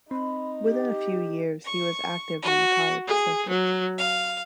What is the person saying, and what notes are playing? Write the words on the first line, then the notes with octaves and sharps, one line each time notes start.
Within a few years, he was active on the college circuit.
C4 D#4 B5
G4
C#6
F#4
G#4
F#3
F5